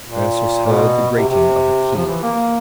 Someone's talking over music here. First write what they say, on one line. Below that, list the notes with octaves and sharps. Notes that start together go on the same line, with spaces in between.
Ursus heard the grating of a key.
A#2
A#2
B2
C3
C3
F3
E3
A#3